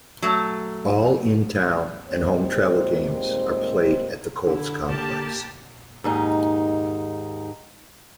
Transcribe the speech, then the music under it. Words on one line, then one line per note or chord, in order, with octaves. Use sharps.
All in-town and home travel games are played at the Kolz Complex.
F#3 A3
D#2 A#2 G3 G#3 C4 C5
D3 E4
A#3 G4 A5
D#2 G#2 D#4